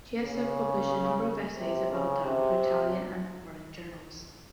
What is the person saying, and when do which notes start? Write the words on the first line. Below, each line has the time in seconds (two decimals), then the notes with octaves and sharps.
Chiesa published a number of essays about that for Italian and foreign journals.
0.22 C#3
1.57 C3
1.91 C#3
2.24 C3